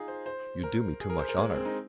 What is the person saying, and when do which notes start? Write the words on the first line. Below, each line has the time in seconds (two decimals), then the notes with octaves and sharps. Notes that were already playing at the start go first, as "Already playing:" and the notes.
"You do me too much honour."
Already playing: D#4 F4 G#4
0.08 C5
0.26 C5
0.63 A#4
1.01 G#4
1.10 A#4
1.19 C5
1.29 A#4
1.38 G#3
1.56 C4
1.65 D#4